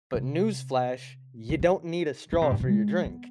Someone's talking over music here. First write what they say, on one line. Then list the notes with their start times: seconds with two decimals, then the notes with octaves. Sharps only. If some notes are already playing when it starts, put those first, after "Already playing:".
But, news flash, you don't need a straw for your drink.
0.14 C3
1.49 D3
1.60 D#3
2.33 D#3
2.42 C3
2.51 G2
2.60 B2
2.69 G#3
3.05 B3